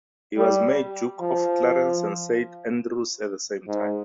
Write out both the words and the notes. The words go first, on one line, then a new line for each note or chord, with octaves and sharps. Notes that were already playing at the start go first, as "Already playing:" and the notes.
He was made Duke of Clarence and Saint Andrews at the same time.
G3
F3
G#2